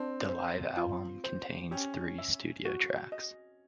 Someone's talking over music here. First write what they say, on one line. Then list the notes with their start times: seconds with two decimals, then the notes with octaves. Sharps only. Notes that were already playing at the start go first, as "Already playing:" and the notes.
The live album contains three studio tracks.
Already playing: C4 D4
0.29 C5
0.77 F4
1.24 C5
1.71 C#4 G4
2.18 E5
2.65 F#4
3.12 D#5